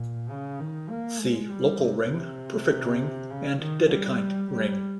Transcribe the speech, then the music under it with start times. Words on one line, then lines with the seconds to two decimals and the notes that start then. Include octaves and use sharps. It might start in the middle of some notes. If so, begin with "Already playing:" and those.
See local ring, perfect ring and Dedekind ring.
Already playing: A#2
0.30 C#3
0.60 D#3
0.90 A#3
1.20 G#3
1.50 G3
1.80 C3
2.09 C3
3.30 C#3
3.60 D#3
3.90 G3
4.50 G3